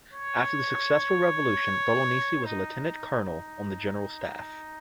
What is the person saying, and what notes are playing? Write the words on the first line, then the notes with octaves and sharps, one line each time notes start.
After the successful revolution, Bolognesi was a Lieutenant Colonel on the General Staff.
C#5
D#4
D#4